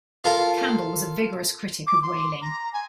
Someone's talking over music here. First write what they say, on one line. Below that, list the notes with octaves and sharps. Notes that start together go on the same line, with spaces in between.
Campbell was a vigorous critic of whaling.
F4 A4 A#4 F5
D6
C6
A#5
G#5